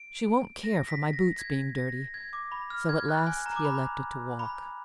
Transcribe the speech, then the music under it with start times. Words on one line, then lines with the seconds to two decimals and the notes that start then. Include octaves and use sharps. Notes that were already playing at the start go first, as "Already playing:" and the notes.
"She won't care for my boots being dirty." So at last he elected to walk.
Already playing: D7
0.63 A#6
0.88 B6
1.13 A#6
1.39 G#6
1.76 A#6
2.14 G#6
2.33 D6
2.52 B5
2.70 F6
2.89 G#6
3.08 F#6
3.27 G#5
3.46 A#5
3.56 D6
3.65 B5
4.39 B5